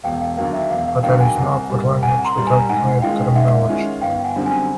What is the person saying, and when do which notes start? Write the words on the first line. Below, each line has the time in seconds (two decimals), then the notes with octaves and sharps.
But there is no good language without clear terminology.
0.04 E1 F5 G5
0.20 F5 G5
0.37 D#2 D3 F#3 A#3 F5
0.53 E5
0.70 E1 F5
0.87 F5
1.03 D#2 D3 F#3 A#3 F5 G5
1.20 F#5 G#5
1.37 C2
1.70 A#2 G3
2.03 C2 F#5 G#5
2.25 A#5 C6
2.36 A#2 G3
2.47 G#5 A#5
2.69 G#2 F#5 G#5
3.02 D#3 G#3 C#4 F4 F5 G5
3.35 G#2 E5 F#5
3.69 D#3 G#3 C#4 F4
4.01 G1 F5 G5
4.24 F#5 G#5
4.36 F#2 D3 G3 C4
4.46 F#5 G#5